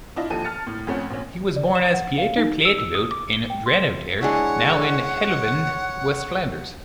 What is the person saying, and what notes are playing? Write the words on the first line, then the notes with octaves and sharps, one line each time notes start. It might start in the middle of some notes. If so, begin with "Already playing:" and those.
He was born as Pieter Platevoet in Dranouter, now in Heuvelland, West Flanders.
D4 E4 F4 D#5
D#2 F3 A4 D#7
A5 F6 A6 C#7
A2
F2 A3 C#4 F#5
A#1 C#4
D5
E7
F#5
F5
D#4
E6
E6
D#6
D6
G7
G5
C6
G#3 D4 E4 C#5 F#5